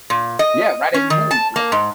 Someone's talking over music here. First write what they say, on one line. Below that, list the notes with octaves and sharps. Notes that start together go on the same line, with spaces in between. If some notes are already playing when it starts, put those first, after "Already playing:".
Yeah, right at your home, like
A#2
D#5
C#4
D#3
A5
A#3
G#2